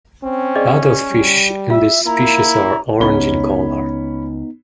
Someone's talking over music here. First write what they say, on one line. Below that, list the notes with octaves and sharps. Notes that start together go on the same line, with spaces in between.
Adult fish in this species are orange in color.
C4 C#4
G#4 D5 D#5
G3
F4 E5
A#3 E4 A#5
C#2 B3 C#4 D#4 B5 G7